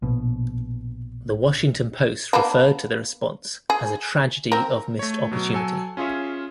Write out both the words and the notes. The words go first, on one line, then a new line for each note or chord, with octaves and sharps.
The Washington Post referred to the response as "a tragedy of missed opportunity".
A#1 B2
A#3 B3 D4
G#4
C4 A#4
A3 C#5
B2 F#3
F#3 A4 G#5
C#4 F4 G#4 C#5 E5